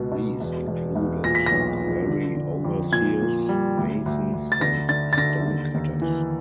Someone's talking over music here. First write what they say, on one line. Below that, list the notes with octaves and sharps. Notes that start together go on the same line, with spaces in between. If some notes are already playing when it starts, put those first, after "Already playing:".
These included quarry overseers, masons, and stonecutters.
Already playing: C#2 B2
B2
E1
E1
E1
A#2 A#6
B6
A#6
B1
F3
D3
D3
F2
A#2 G#6
A#2
G3
D2
D2
D2
A6
D3 A#6
D3 A6
A6
D3 A#6
D#2
D#2
E3